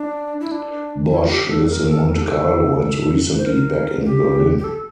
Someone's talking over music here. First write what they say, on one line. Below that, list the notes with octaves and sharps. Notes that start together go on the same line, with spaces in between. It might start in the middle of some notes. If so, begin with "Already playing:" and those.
Bosch lives in Monte Carlo and recently back in Berlin.
Already playing: D4
E4
D4
E4
F4
G4
A4
A#4
A4
A#4
A4
G4
A4
C5
A#4
G4
G4
A4